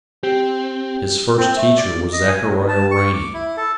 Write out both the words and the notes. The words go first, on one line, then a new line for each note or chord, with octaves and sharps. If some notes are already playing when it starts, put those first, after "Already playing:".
His first teacher was Zachariah Riney.
C4 G4
C4
A3
D5
D#5
G#5
F#3
A5
C#6
D6
E4
A4